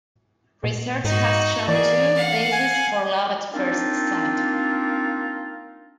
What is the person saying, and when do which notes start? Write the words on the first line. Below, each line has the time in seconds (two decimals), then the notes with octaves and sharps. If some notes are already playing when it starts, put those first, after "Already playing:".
Research has shown two bases for love at first sight.
0.64 A#2
1.04 G#2 D#4 F#4
1.68 E3 A#3 G#4 D5
2.15 F5 F#5
2.52 G#5
3.53 A#3 C4 D4 D#4 F4